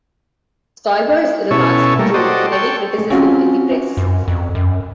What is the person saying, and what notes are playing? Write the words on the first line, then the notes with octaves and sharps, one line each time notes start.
Stoiber's remarks drew heavy criticism in the press.
B2 C#4 E4 A4 C#5
G3 A3 A#3
F#4 G4 A4 C5 D5 D#5
A4 C#5 G5
G#3
C4 C#4 F4 F#4
F#2
F2
F#2